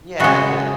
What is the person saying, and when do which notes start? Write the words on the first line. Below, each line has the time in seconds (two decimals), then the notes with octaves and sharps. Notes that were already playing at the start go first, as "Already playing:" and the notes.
Yeah, yeah.
0.20 C#3 G#3 F#4